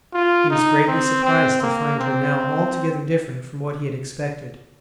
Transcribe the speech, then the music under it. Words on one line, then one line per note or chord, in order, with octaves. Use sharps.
He was greatly surprised to find her now altogether different from what he had expected.
F4
D#4
C4
C4
A#3
C4